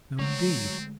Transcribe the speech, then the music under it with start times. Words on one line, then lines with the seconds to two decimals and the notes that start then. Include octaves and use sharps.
No, indeed!
0.19 D3 F#3 G#3 A3 C4 C#5